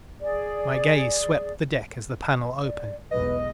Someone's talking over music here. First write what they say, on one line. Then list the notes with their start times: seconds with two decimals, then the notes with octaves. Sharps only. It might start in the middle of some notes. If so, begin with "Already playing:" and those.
My gaze swept the deck as the panel opened.
0.20 G#4 D5
2.63 D5
3.11 B1 E2 G#2 B4 D#5